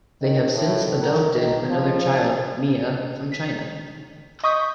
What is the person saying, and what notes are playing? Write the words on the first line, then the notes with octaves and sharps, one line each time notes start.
They have since adopted another child, Mia, from China.
D#3
A2
A#4
D#3
F3
B6
D#5 C#6 D#6 G6 B6